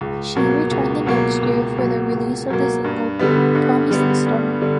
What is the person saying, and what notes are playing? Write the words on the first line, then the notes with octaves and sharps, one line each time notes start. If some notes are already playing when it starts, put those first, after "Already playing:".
She returned the next year for the release of the single "Promise the Star".
C#2
B2 F#3 A#3
C#2
B2 F#3 A#3
C#2
B2 F#3 A#3
C#2
B2 F#3 A#3
G2
D3 G3 B3
G2
D3 G3 B3
G2
D3 G3